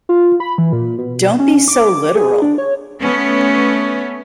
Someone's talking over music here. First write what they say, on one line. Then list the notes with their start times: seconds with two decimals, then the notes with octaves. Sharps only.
Don't be so literal.
0.09 F4
0.40 B5
0.58 E3
0.73 A#2
0.98 B2
1.39 C#4
1.68 D6
2.15 G#4
2.42 D4
2.58 C#5
3.01 A3 B3 C#4